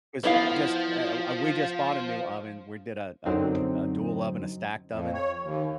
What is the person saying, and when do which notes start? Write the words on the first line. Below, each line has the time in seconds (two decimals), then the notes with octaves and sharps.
'Cause just, eh, eh, wha we just bought a new oven. We did a a a dual oven, a stacked oven
0.24 F3 B3 E4 F5
3.26 F#2 D3 F#3 C4 D#4
4.92 F2
5.14 C#5
5.43 D#2